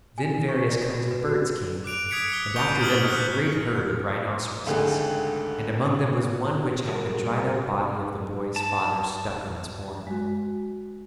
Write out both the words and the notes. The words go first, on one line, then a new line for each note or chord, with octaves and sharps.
Then various kinds of birds came and after them a great herd of rhinceroses and among them was one which had the dried up body of the boy's father stuck on its horn.
G#5
C#6
D5
F#4
B4
F#4
D6 F#6 D7 F7
D#6 G#6 B6 C#7 D7 F7
D#6 G7
C#6 G6 F7 G7
D#6 F6 F#7 G7
F#6 G6 B6 G7
G#1 C#2 D3 A3 G4 G#4
G2 F#4 G#4 A#4
A5
G#3 F#4